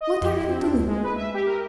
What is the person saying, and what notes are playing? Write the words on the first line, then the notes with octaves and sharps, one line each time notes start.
"What are you doing?"
D#5
F2
E4
C4
D4
D2
G#3
B4
E5
G4
A#4